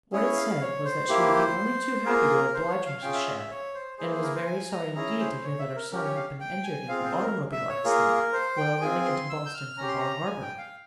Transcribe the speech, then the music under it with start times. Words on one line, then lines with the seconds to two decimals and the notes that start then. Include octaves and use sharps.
What it said was that she would be only too happy to oblige Mrs. Shadd, and was very sorry indeed to hear that her son had been injured in an automobile accident while running into Boston from Bar Harbor.
0.13 C#4 E4 G#4 C#5
0.37 F5
0.61 C#5
0.85 C5
1.09 A#3 E4 G4
2.05 A#3 F4 G#4 A#4
2.54 C5
2.70 C#5
2.86 F5
3.02 C#4 F4 G#4 G5
3.14 E5
3.26 E5
3.38 E5
3.51 C#5
3.75 C5
3.98 A#3 E4 G#4 C5
4.11 C5
4.23 A#4
4.35 C5
4.47 G#5
4.72 A#5
4.95 C#4 E4 G#4 A#5
5.19 C5
5.44 C#5
5.59 E5
5.76 A#4
5.92 C#4 G4 A#4
6.04 C#5
6.15 F5
6.40 G5
6.64 G#5
6.88 C4 F4 G#4 F5
7.05 C5
7.21 A#4
7.52 E5
7.69 C#5
7.85 A#3 F4 G#4 A#4
8.33 C5
8.57 G5
8.81 C4 F4 G#4 G#5
9.05 C6
9.30 E6
9.46 G6
9.54 F6
9.78 C#4 G4 A#5
9.88 C6
9.98 A#5
10.26 G#5
10.42 G5
10.58 F5